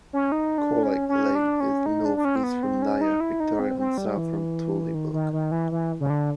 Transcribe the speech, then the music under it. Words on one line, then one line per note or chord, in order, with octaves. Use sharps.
Koraleigh is northeast from Nyah, Victoria and south from Tooleybuc.
C#4
D#4
D4
C#4
C#4
D4
C#4
D#4
D4
D4
C#4
C4
B3
C4
C#4
D#4
E4
D#4
C4
C4
G3
E3
D#3
D#3
D#3
E3
E3
C#3
D3